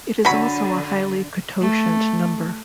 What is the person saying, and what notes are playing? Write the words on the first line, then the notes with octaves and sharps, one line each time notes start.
It is also a highly cototient number.
D3 F#3 B5
A3